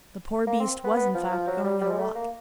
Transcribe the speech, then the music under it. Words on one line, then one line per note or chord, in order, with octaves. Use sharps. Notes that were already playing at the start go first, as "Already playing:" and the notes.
The poor beast was, in fact, going at a walk.
A#3
C4
B3
B3
F3
F3
F#3
G3
G3
G#3
A3
A#3